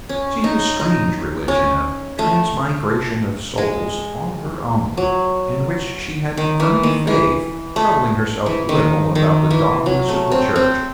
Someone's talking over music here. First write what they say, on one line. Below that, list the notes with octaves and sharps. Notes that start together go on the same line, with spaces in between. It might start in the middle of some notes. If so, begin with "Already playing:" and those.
She had a strange religion of transmigration of souls all her own, in which she had firm faith, troubling herself little about the dogmas of the Church.
C#4
D#4
D#4
C#4
A3
G#3
F#3
D#3
E3
D#3
E3
A3
E3
D#3
D#3
E3
F#3
A3
C4
C4